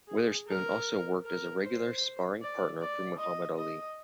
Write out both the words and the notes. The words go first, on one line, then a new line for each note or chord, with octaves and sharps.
Witherspoon also worked as a regular sparring partner for Muhammad Ali.
G#4
A#4
A#4
C5
D5
D5
D#5
D#5